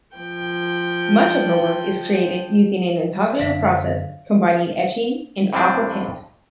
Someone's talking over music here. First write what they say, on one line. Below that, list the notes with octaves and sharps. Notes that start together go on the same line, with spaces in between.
Much of her work is created using an intaglio process combining etching and aquatint.
F3 G5
F#2 D3 E5 F5 B6
F2 A2 C3 G3 C4 D4